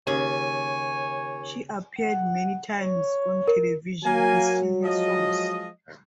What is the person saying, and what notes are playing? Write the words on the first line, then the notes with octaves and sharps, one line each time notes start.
She appeared many times on television to sing her songs.
D#2 C#3 C#5 G#5
F#5
C#5
A#4
F#3 A#3 G#5
F3 G#3 D#5